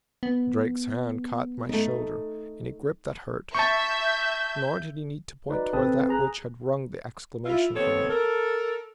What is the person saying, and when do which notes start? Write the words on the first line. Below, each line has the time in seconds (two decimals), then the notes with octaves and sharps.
Drake's hand caught my shoulder in a grip that hurt--nor did he need to point toward that which had wrung the exclamation from him.
0.23 B3
1.69 A3 D#4
3.55 E5 A5 C#6 G6
5.49 D#4 F#4 B4 D5
5.73 A1 C4 A4 B4 A5 D#6
6.09 G#4 A#5 F#6
7.46 E4 F4
7.75 D#2 B3 C4 A4 C#5
8.10 A4 A#4